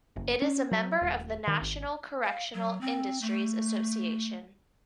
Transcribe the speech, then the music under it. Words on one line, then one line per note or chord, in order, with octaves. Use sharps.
It is a member of the National Correctional Industries Association.
F#1
C#4
F#3
D#1
D#3
G#1
F5
F#3
C4
A3